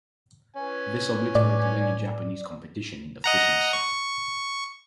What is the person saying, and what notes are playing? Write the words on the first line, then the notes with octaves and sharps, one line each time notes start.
This obliterated any Japanese competition in the fishing sector.
C#4 B4 G#5
A2 D5
D#5 F#5 A#5
C#6